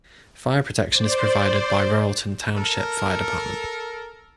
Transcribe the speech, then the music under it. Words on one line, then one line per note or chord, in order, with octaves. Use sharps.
Fire protection is provided by Royalton Township Fire Department.
C5 D5
A4 A#4